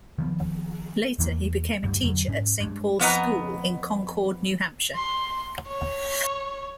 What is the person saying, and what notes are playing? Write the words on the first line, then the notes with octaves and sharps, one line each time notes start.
Later, he became a teacher at Saint Paul's School in Concord, New Hampshire.
D#3 F3 B3
E2 E3 F3 A#3
D2 G2 G3
F2 D3 F#3
G#2 C#4
G2 G#3
F2 B3 D#5 A#5
C6
C#5